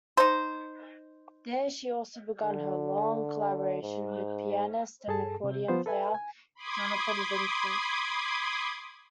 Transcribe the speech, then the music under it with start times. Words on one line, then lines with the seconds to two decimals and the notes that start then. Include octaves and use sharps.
There she also began her long collaboration with pianist and accordion player Jonathan Vincent.
0.17 D#4 C5
2.43 D3
3.82 G#2
5.08 G2 G#4 A4 A5
5.44 C3
5.68 F3 B3 F4 C5
5.86 A4 B4 E5 G#5
6.15 G#5
6.55 B5 C6 D6 D#6 G#6